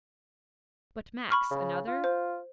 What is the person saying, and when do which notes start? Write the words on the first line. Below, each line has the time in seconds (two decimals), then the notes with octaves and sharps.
'But, Max, another?
1.31 B5 C#6 F6
1.51 C#3
1.87 F4
2.04 C5